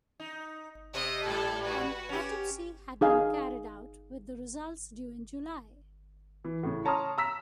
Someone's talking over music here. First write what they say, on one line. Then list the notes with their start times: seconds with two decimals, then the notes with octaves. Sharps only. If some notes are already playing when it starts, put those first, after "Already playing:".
An autopsy had been carried out, with the results due in July.
0.20 D#4
0.94 C3 D#5
1.26 G#2 G3 A4
1.63 F#4 B4
2.09 C#4 G4
3.01 D#4 G#4 F5
6.44 E3
6.63 A2 C#3
6.85 C#5 A5 A#5 C6 D#6 F6
7.18 A#5 E6 B6